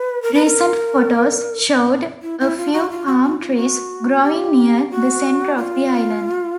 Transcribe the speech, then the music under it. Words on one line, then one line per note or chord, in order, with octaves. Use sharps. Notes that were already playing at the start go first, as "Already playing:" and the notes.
Recent photos showed a few palm trees growing near the center of the island.
Already playing: B4
A#4
B4
A#4
E4
E4
F4
F#4
F4
F#4
F#4
F4
F#4
G4
F#4
F4